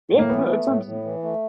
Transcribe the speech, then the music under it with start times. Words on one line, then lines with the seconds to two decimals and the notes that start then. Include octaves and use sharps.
Well, no, that sounds
0.11 A2
0.19 A#3
0.29 E3 B3
0.48 A3
0.67 A2
0.85 A2
1.04 E3
1.23 A3